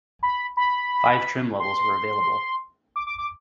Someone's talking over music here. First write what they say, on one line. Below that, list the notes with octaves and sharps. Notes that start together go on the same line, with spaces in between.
Five trim levels were available.
B5
B5
C6
D6
D6
D6